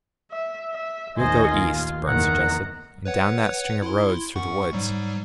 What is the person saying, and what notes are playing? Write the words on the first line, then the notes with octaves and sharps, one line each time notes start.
"We'll go east," Burne suggested, "and down that string of roads through the woods."
E5
E5
A1 D#2 D#3 C5 D#5 G#5
F4
F#1 E2 D#3 F#5 A#5
B4 C#5 F#5
E4 C6
F#2 F#5 C#6
G#2 F#3 G3